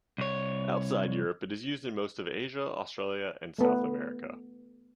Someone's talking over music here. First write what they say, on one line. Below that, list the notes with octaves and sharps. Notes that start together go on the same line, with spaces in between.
Outside Europe, it is used in most of Asia, Australia and South America.
C2 C#5
A3 B3